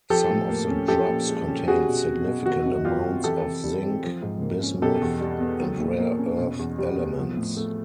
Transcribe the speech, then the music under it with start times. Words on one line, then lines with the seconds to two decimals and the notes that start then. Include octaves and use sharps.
Some of the drops contained significant amounts of zinc, bismuth, and rare earth elements.
0.10 F3 G4 A4
0.30 A2
0.49 A#3
0.69 C#4
0.88 F3 G4 A4
1.09 A#2
1.28 G#3
1.48 C#4
1.67 G3 F#4 G#4
1.87 B2
2.06 C4
2.26 B2
2.46 D#3 F#4
2.66 F#2
2.85 G3 F4 G4
3.05 C4
3.24 E3 G4 A4
3.45 C3
3.64 G3
3.83 C4
4.04 F3
4.23 G#2
4.42 A#3
4.63 C#4
4.82 B2 G4 A4
5.02 E2
5.21 G3
5.40 B3
5.60 F#3
5.80 A#2
5.99 A#3
6.19 C#4
6.39 B2
6.59 E2
6.78 G3
6.98 B3
7.18 F3
7.37 A2
7.57 A3